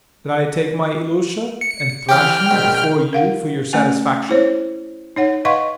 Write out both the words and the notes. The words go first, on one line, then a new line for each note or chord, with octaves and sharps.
That I'd take my Ilusha and thrash him before you for your satisfaction?
C#7
E3 C4 G4 G5 F6
A#1 B2
A#4 F5 F#5
A3 C#4 F#5 G#5
E4 C5 C#5
D#4 C#5 F#5
B4 D#5 F5 F#5 C6 C#6